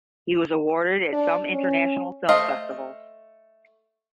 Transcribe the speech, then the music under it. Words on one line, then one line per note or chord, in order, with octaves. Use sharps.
He was awarded at some international film festivals.
D4
C#4
A3 C5 D#5 F5